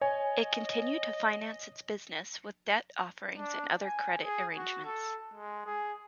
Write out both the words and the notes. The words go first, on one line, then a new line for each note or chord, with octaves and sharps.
It continued to finance its business with debt offerings and other credit arrangements.
C#5 D#5 G#5
D4
G#5
G#4
F#4
A4
G#3
G#4